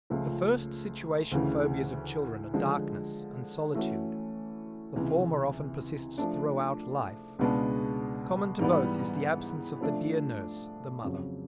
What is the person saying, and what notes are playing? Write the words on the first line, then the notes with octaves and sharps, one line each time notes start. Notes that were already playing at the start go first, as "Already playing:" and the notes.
The first situation phobias of children are darkness and solitude; the former often persists throughout life; common to both is the absence of the dear nurse, the mother.
C#2 C#3 F3 A3
D2 C#3 E3
D3 F3 G#3
E3 A3 C#4 F#4
C#2 C3 E3
F3 A3 D4
C#2 B2 G#3 B3 D4
G#2 E3 G3 B3
F3 A3 D4
F2 C#3 F#3